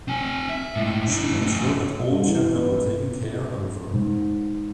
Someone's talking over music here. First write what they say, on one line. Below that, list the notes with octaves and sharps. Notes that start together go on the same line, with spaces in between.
She made sure that all children were taken care over.
C4 G#5
E5
A2 G#3
D4 E4
A3 C4
G2
E3
B3
G#2